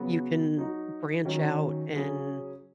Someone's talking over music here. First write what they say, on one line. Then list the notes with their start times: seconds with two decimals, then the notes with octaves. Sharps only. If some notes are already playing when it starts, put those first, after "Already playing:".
you can branch out and,
Already playing: C#3 F#3 B3 F#4 B4
0.57 F#3 D#4 F#4
1.25 D#3 F#3 C#4
1.94 C#3 F#3 C#4 G#4